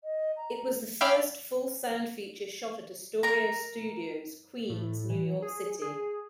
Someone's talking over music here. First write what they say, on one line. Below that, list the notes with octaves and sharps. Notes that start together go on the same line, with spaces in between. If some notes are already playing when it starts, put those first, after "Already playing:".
It was the first full-sound feature shot at Astoria Studios, Queens, New York City.
D#5
A#5
E5 F5 G5 B5 D6 E6
A#4 A#5
A2
E3
G#4
G#4